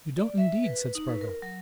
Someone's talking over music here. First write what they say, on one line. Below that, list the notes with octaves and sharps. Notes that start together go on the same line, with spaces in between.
"You don't, indeed!" said Spargo.
D5
E5
B4
D#4
B4
A#4
F#3